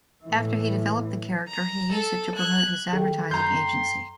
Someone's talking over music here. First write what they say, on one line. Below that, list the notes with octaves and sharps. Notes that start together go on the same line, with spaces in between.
After he developed the character, he used it to promote his advertising agency.
A2 E3
A#5
A4
F#6 G#6
D#3 A4 G5
F#2 A#5 C6 G6